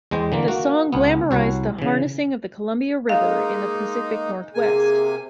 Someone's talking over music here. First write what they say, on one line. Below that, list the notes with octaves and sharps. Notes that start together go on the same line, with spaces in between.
The song glamorized the harnessing of the Columbia River in the Pacific Northwest.
E2 G#3 C5 G5
D3 E3 A#3
A#3 F#4
C#2 B3
C2 F#4 C#5
C#3 E3
G#3 A#3 D#4 F5
C3 A#3 G#4 G#5